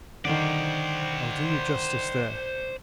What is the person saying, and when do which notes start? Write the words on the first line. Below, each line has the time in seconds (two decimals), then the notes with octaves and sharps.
I'll do you justice there.
0.25 D3 D#3 C5 D5